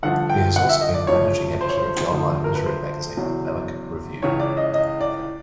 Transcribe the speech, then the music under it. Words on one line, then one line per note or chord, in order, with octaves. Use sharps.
He has also been the Managing Editor of the online literary magazine "Melic Review".
G2 D3 F3 F#5
G5
F#5
E5
D#5
D5
D2 C#3 F3 C#5
C5
C#5
C5
D2 D3 F3
A#4
B4
C5
E2 C#3 F#3
C#2 C#3 E3 C#5
D5
D#5
D#5
D5